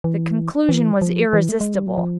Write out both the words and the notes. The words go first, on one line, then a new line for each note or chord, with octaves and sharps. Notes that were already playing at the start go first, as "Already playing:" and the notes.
The conclusion was irresistible.
E3
E3
F3
E3
A3
G#3
G3
F#3
F3